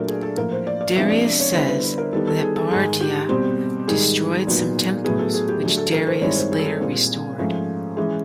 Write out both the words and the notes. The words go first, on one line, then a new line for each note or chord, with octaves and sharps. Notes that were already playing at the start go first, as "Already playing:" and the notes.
Darius says that Bardiya destroyed some temples, which Darius later restored.
Already playing: A#2 F#3 A3 D4 A#4
G#4
A4
A2 F3 A#3 A#4
C5
D5
D5
C3 F3 G#3 B3 D4 E5
D5
D5
C#5
D3 G3 B3 E4 C5
B4
B4
A#4
D#3 G3 B3 A4
A4
G#4
A4
G#2 D#3 G#3 G#4
G4
B2 G3 C4
G#2 D#3 G3 G#4
A#2 F#3 B3 D#4
A2 F#3 B3 G#4
A4
G#4
G4
D3 F#3 A3 G#4
A4
A#4
C5
G2 D#3 G#3 C4 E4 C#5
C5
G#4
A4
G#4
A#2 G3 C4
G#2 F3 A3 C#4
E3 G#3 C#4 G#4